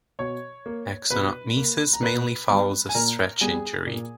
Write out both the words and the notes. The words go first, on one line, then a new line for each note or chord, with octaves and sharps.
Axonotmesis mainly follows a stretch injury.
B2 C#5 C#6
A#3
B2 B4 B5
A#3
A#5
A#2 B4 B5
G3 B3
G#5
A#2 A#4 A#5
G3 B3 G#4 G#5
A#2